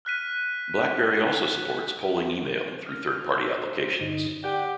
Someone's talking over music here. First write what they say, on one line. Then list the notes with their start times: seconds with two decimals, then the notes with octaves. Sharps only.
BlackBerry also supports polling email, through third-party applications.
0.05 F6 F#6 B6 D#7
2.87 F6
3.29 E6
3.64 C5
4.01 G2 D3 D#4
4.44 G4 D5 F#5 G6